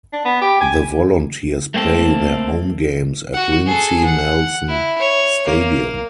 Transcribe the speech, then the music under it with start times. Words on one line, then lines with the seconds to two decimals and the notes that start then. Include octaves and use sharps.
The Volunteers play their home games at Lindsey Nelson Stadium.
0.13 D4
0.25 B3
0.41 G4
0.61 G#5
1.74 A3 A#3 C4 A4
3.34 F#4 F#5
3.66 G#4 A4
4.05 F#5
4.68 E4
5.00 C#5
5.45 A#3